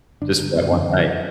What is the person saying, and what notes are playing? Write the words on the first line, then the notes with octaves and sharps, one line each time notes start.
just for that one night.
G1 D4
G1
F#2 C4
D3 C4